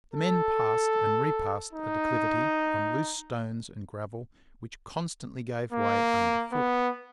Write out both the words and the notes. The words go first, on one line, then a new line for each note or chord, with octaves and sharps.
The men passed and repassed a declivity, on loose stones and gravel, which constantly gave way under foot.
A4
D#4
A#3
B3